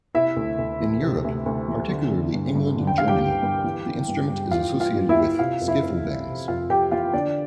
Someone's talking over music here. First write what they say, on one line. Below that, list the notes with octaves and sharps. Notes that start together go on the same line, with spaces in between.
In Europe, particularly England and Germany, the instrument is associated with skiffle bands.
C3 E4 E5
D2
D2
E3
C3
D2
D2
E3
D3
D3
G2
G2
D3
G5
D3 F5
G4 G5
G2
G2
E3
E3
G2
G2
E3 F4 F5
E3
F4 F5
G2
E4 E5
G2
C3 F4 F5
F2
E4 E5
F2
E3
C3
F2 F4 F5
F2 G4 G5
E3 F4 F5
D3 D4 D5